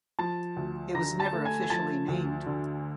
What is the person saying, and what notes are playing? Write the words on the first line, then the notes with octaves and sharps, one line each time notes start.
It was never officially named.
F3 A5 A6
D2
D3 A#5 A#6
A5 A6
A3
G#5 G#6
G#6
F3 A5 A6
D2
D3